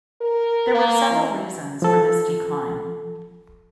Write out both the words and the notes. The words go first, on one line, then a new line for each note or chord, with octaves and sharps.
There were several reasons for this decline.
A#4
A#3
E3
F3 A4